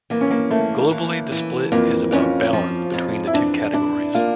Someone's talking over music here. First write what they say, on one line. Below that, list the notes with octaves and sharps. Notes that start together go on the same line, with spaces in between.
Globally the split is about balanced between the two categories.
E3 A#3
C#4
A#3
A3 A#3
E3
E3
F2 A#3
F2 C#4
F3
F2
E4
E3 D4
D4 E4
A#3 F4